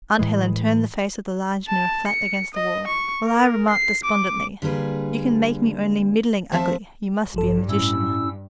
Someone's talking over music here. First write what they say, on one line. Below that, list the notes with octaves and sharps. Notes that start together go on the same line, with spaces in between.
Aunt Helen turned the face of the large mirror flat against the wall, while I remarked despondently, "you can make me only middling ugly, you must be a magician."
A2 E3 G#3
A5
C#7
D#5
C#6
A#4
C7
D6
D3 G3 A#3 G#4 B4
F3 A3 C4 C5 E5 A5
A1 G2 F3 A4
A2 C#4 E4 E6